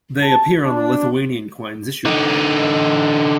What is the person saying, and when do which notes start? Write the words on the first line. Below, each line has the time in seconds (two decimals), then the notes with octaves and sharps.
They appear on the Lithuanian coins issued by him.
0.22 A5
0.65 D4
2.05 D3 D#4